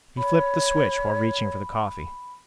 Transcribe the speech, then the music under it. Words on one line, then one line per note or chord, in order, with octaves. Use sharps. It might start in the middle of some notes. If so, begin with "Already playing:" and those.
He flipped the switch while reaching for the coffee.
C#5 B5